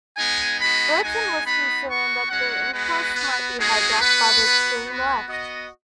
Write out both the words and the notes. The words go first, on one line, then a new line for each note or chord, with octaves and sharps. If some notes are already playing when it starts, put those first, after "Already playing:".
Burton was concerned that the inquest might be hijacked by the "extreme left".
G#3 B3 D#4 G#5
G#3 B3 D#4 F#4 B5
G#3 D#4 F#4 G#5
B3 D#4 F#4 B5
B3 F#4 C#6
G#3 C#4 F#4 F#5
G#3 B3 F#4 B4
B3 F#4
G#3 B3 D#4 F#4 G#4
B3 F#4 B4
B3 F#4
B3 F#4 B4
B3 F#4 D#5